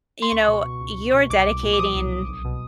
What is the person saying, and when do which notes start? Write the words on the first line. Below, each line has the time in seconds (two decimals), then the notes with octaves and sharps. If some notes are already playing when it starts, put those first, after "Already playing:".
you know, you're dedicating
0.22 C6
0.31 C#2 C#6
0.48 B2
0.65 B2
0.81 C#2
0.97 C#2
1.14 B2
1.30 C2 D6
1.47 C2
1.63 A#2
1.73 D6
1.79 F3 D#6
1.96 C2
2.12 C2
2.28 B1
2.45 B2